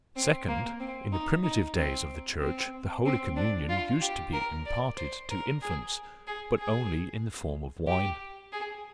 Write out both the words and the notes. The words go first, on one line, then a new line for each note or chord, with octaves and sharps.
Second--In the primitive days of the Church the Holy Communion used to be imparted to infants, but only in the form of wine.
C4
A#3
C4
D#4
D#4
C4
C4
C4
D4
F4
G4
A#4
D5
C5
A#4
G#4
G#4
G#4
G4
G#4